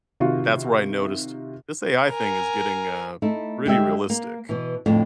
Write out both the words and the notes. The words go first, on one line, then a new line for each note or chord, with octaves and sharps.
that's where I noticed, "This AI thing is getting, uh, pretty realistic."
C3 D#3 F4 F#4
A#4 G#5
A3 D#4 E4
D3 G#3 G4 E5
A#3
B2 E3
F2 A2 D3